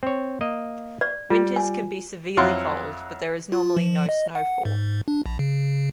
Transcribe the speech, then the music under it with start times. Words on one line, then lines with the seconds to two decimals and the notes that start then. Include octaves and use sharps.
Winters can be severely cold but there is normally no snowfall.
0.03 C4 C#5
0.41 A#3 D#5
1.01 D5
1.30 G3 F4
1.56 G#5
2.37 F2 F#3 E4 F5 F#5 C6
3.52 F4
3.77 F3
4.09 D#5
4.35 F#5
4.65 G#2
5.08 D4
5.26 A#1
5.39 C#3